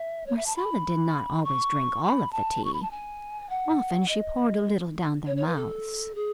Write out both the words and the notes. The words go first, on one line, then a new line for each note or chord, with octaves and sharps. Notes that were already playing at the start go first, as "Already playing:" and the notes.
Marcella did not always drink all of the tea, often she poured a little down their mouths.
Already playing: E5
C#5
E5
A5
B5
C#6
B5
A5
C#6
B5
A5
G#5
F#5
D#5
C#5
C#5
B4
A4
G#4